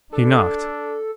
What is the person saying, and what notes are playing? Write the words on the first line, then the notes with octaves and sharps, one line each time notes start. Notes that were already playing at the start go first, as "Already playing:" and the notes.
He knocked.
D4 A4